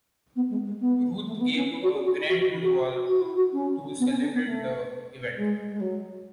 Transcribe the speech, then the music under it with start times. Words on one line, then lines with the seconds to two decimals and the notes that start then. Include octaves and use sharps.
Ruth gave a grand luau to celebrate the event.
0.35 B3
0.49 G#3
0.65 G#3
0.80 B3
1.26 A3
1.36 A3
1.40 B3
1.55 C#4
1.71 E4
1.82 F#4
1.93 G#4
2.05 F#4
2.17 E4
2.27 F#4
2.39 F#4
2.50 E4
2.62 F#4
3.07 F#4
3.21 E4
3.35 F#4
3.52 C#4
3.99 B3
4.09 C#4
4.21 D4
4.33 B3
4.44 A3
5.35 G#3
5.70 G#3
5.80 F#3